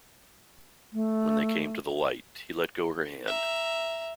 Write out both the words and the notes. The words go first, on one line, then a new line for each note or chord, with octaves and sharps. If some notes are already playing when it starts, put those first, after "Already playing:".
When they came to the light, he let go her hand.
A3
E5 A#5